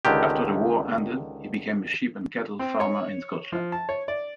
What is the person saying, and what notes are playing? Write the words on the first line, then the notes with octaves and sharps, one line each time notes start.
After the war ended he became a sheep and cattle farmer in Scotland.
C#2 D3 D#3 G4
C4
C#5
F3
A5
C#5
D5